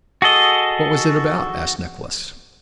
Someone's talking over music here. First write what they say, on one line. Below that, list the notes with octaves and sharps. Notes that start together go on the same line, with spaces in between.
"What was it about?" asked Nicholas.
F#4 G#4 A4 D#5